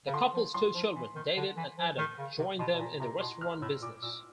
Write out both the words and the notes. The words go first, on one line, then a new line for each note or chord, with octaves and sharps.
The couple's two children, David and Adam, joined them in the restaurant business.
C#3
D3 C6
F3
F#3 C6
F3
E3
D#3
D3
E3
F3
D#3
C#3
C3
B2 C6
B2
A#2 A#5
C3 A#5
B2 C6
F6
A2 E6
A#2 D6
A#2 E6